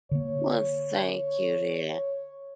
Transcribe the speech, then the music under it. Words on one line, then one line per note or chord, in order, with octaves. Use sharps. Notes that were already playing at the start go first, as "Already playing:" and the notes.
Well, thank you, dear.
D3 A#3 C#5